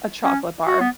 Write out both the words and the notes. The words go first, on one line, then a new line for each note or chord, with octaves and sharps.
a chocolate bar.
C#4
F#4
B3